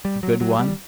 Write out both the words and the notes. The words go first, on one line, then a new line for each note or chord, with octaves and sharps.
A good one?
G3
F#3
F#3
G3